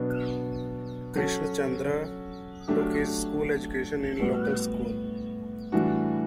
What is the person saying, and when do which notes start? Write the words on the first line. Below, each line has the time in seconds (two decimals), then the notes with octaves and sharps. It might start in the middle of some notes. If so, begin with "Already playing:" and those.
Krishnachandra took his school education in a local school.
Already playing: B2 F#3 B3 D4
1.16 F#3 C#4 F#4 A4
2.68 F#3 A3 D4 G4
4.20 A2 G3 B3 F#4
5.72 A2 E3 G3 D4 F#4